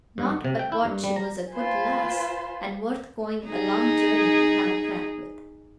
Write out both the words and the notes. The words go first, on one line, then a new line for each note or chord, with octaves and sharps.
Not but what she was a good lass, and worth going a long journey to have a crack with.
G2
F#5
C3
G5
E4
G2
G3
A#5
F4 B4 C5 G#5
D#4 G#4